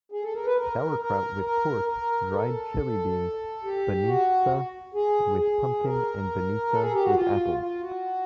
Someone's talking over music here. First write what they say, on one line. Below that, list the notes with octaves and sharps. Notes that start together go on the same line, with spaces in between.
Sauerkraut with pork, dried chili beans, banitsa with pumpkin and banitsa with apples.
G#4
A4
A#4
B4
A#4
A#4
A#4
A#4
A4
G4
F#4
G#4
G#4
A#4
A4
G#4
G4
F#4
F4
F4
F#4